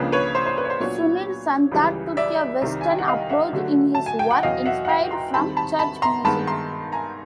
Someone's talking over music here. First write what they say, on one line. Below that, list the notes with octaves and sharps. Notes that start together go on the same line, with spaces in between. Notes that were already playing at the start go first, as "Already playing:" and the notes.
Sunil Santha took a Western approach in his work inspired from Church music.
Already playing: C#2 C#3 F3 A#3 D4 B4
B4 C#5
C5
C5
B4
C#5
C5
A#2 F#3 B3 D4 B4 C#5
C#2 C#3 E3 G3
D5 E5
C2 C3 D#3 G3
G#5
G5
F#5
D#5 F5
E5 F#5
D3 F#3 A3
A5
G#5
G5
F#5
E2 B2 F#3 D#5 F5
E5 F#5
F#5
F5 G5
A#5 C6
D#2 D#3 G3 C4 A5 B5
A5 B5
A5 B5
A#5 C6
G2 D#3 G#3 B3 A5 B5
A#5 C6
G#5 A#5